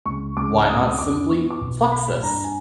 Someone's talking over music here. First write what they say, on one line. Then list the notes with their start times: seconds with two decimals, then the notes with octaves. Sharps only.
Why not simply "Fluxus"?
0.05 C#2 C#6
0.37 C#2 D6
0.68 C4 D#6
0.91 D#6
0.99 F2 D6
1.30 B3 C#6
1.50 D6
1.61 B1
1.92 A#3 B5
2.23 G2 A#5
2.44 G#5